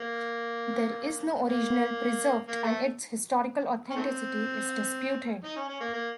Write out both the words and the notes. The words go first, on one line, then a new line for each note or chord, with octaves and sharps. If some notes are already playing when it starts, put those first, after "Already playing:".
There is no original preserved and its historical authenticity is disputed.
Already playing: A#3
A#3
A#3
A3
C#4
D#3 A3 C4
D#4
C#4
C#4
A#3
A#3